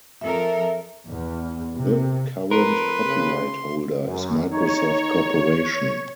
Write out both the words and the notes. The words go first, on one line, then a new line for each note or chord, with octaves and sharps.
The current copyright holder is Microsoft Corporation.
F2 A4 A#4 E5
E2
C3
F2 A#4 B4 C6
C#3
F#2
D#4 C#5